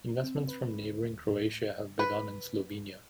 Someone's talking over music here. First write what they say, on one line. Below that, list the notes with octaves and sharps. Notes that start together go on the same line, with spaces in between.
Investments from neighboring Croatia have begun in Slovenia.
C4
B4
D2
A2
B4